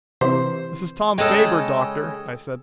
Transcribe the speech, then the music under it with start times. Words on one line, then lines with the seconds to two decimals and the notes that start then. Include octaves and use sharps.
"This is Tom Faber, Doctor," I said.
0.21 C3 E3 C5
1.18 C#3 G#3 A4 D#5 G5